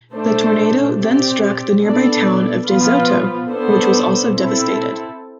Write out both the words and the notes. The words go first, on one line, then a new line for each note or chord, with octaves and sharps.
The tornado then struck the nearby town of De Soto, which was also devastated.
A3 D4 A4 C5
C4 G4 D5
B3 D4 A4 D5
F3 B3 F4 B4
B3 D4 A4 C5
C4 E4 A4